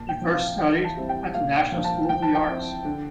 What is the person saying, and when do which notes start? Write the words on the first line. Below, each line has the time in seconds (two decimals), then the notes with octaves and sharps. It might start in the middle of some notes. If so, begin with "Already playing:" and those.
She first studied at The National School of the Arts.
Already playing: A#2 A5
0.09 G5
0.21 F3 C4 E4
0.34 F5
0.59 E3 G5
0.84 A5
0.97 G3 C4 E4
1.09 G5
1.34 A#2 F5
1.59 G5
1.72 F3 A#3 D4
1.84 A5
2.09 F3 G5
2.23 A5
2.35 G5
2.47 C4 E4
2.85 D3